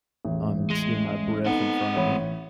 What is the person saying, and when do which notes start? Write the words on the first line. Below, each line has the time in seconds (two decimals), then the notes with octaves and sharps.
um, and seeing my breath in front of me.
0.25 A1 E2
0.70 G#3
1.46 B3 C4 D#4 A4 F#5
1.96 A1 C#5 B5